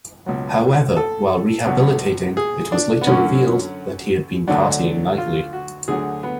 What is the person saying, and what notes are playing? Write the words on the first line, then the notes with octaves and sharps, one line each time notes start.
However, while rehabilitating, it was later revealed that he had been partying nightly.
C#2 B2 F#3
A4
C#2 B2 F#3
G#4
D4
B3
F#2 D3 F#3 C#4
D2 D3 F#3 D4
F4
F#4
D2 D3 F#3 G#4
B3